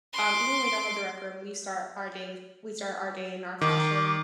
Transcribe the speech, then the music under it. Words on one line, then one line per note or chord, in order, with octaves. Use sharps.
Um, even when we don't have the rec room, we start our day with we start our day in our classroom
C6 D6
D#3 D6